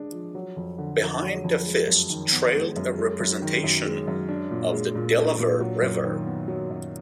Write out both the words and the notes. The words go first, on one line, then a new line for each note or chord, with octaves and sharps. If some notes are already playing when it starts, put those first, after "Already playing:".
Behind the fist trailed a representation of the Delaware River.
Already playing: G#3 D4 G#4
F3
F#3
F2
D3
F2
F#3
F2
G#3
F#2
D#3
B3
G#3
F#2
G#3
F#2
D#3
F#2
G#3
F#2
D4
A#2
G#3
A#2
D4
A#2
F#3
F#2
D#3
B3
F#3
F#2